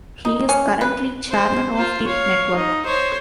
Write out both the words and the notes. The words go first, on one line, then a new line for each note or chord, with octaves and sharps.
He is currently Chairman of the Network.
D#4
C#4
B4
C5
F4 C5
C#5 F5
D#4
C5 C#5